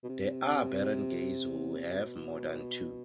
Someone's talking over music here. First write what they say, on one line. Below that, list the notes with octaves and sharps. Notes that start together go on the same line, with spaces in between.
There are barangays who have more than two.
B2
C3
C3
B2